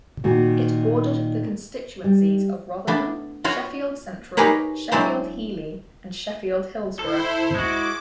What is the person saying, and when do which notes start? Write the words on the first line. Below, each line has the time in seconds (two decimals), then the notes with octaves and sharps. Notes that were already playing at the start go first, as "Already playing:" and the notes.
It bordered the constituencies of Rotherham, Sheffield Central, Sheffield Heeley and Sheffield Hillsborough.
0.24 A#2 D#3 F#4
2.04 G3
2.87 A3 B3 D4
3.44 F4 F#4 C#5
4.37 D#4 G4 G#4 A#4 B4 C#5
4.92 F#3 G#3 C4 D4 E4 C5
6.99 E4 A4 C5
7.55 G#3 F#4 D6